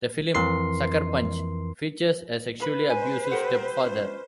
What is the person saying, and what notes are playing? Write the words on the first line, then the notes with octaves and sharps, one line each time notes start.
The film, "Sucker Punch" features a sexually abusive stepfather.
F2 E3 A#4 C6 C7
B4 F5 B5
C5 G#5
G4 A4 F#5
C#4 F4